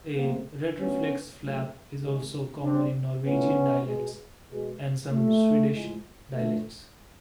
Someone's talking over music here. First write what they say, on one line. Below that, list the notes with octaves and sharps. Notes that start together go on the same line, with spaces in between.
A retroflex flap is also common in Norwegian dialects and some Swedish dialects.
C#3 F#3 A3 A#3 C4
D3 F#3 A3 B3 C#4
C#3 F#3 A3
C3 D#3 G#3
D3 G3 C4 D4
A2 F3 A3 B3 C#4
B2 G#3
B2 G#3
A#2 G3 A3
A2 F3 G#3
D3 F3 A3